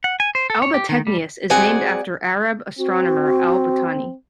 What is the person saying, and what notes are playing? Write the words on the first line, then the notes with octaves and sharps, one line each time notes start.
Albategnius is named after Arab astronomer Al-Battani.
F#5
G#5
C5
A4
C#5
G4
D#3
G3
F#3 G#3 C4 D5 F#5 G#5
C4 F#4